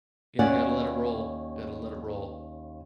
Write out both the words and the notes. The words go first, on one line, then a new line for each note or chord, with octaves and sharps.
Yeah, you gotta let it roll. You gotta let it roll.
D#2 C#4 D5 F#5